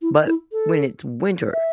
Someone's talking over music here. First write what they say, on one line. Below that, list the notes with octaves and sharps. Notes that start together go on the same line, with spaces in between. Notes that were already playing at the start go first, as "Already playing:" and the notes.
but, when it's winter,
E4
E4
A4
E5